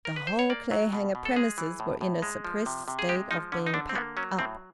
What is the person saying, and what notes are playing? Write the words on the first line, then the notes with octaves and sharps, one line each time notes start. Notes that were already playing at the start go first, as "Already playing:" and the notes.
The whole Clayhanger premises were in a suppressed state of being packed up.
A#4
B4
C5
C#5
A#3 D5
F#3
B2
B2
A4
G#3 G#4
E3
A2
A2
G#3
F3
C3
C3
G#4
G#3 G4
F3 D#4
D3 C#4
D#4
D3 D4
C4
A#3 B3
F#3 C#4
A2 C4